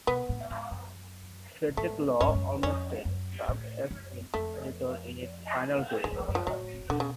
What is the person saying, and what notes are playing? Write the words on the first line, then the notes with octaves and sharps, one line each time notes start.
Frederick Law Olmsted served as its editor in its final two years.
B2 B3
A2
G#2
F#2
A2
G#2 A3
F#2 C#4
G#2
F#2
F2 C#4
F#2
A2
F#2
F2 A3
G#2 G#3
F#2
F2
F#2
F3
A2 F#3
B2 D3
C#3